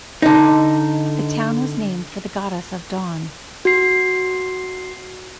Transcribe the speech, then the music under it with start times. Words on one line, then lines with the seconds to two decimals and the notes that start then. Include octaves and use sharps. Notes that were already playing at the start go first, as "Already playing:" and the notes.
The town was named for the goddess of dawn.
0.22 D3 D#4
3.65 F#4 C7